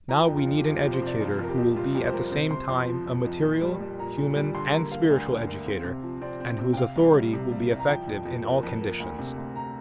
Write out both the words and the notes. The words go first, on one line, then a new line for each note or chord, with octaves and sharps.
Now we need an educator who will be at the same time a material, human and spiritual educator, and whose authority will be effective in all conditions.
F3 A#5
F2 G5
F4
F2
G4
F2 F4
F2 G4
C5
C3 D5
F2 F4
F2 A#4
G4
F2
G3 F4
F2 G4
C5
G3 A#4
C3 C5
C3 C6
F2 C6
F3
F2
F2
A#2
G3
G3
A#2 A#5
A#2
G3
D3 C6
A#3 A#5
A#3 F5
D2
D3
A#3
C4
C3
F3
C4 D5
C4
C3
G5
C3 F5
C2
G3
C3
G3
C2
A#5
F3 G5
F2
F2
A#3
F2
A#3
D2
C3
D2
A#5